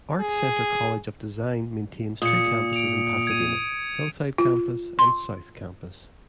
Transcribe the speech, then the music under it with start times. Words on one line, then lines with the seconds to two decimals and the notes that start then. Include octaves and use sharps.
ArtCenter College of Design maintains two campuses in Pasadena: Hillside Campus and South Campus.
0.20 G#4
2.22 A#2 D#6 C#7
2.73 D7 F7
3.27 G#6 D#7
4.38 F4
4.99 C6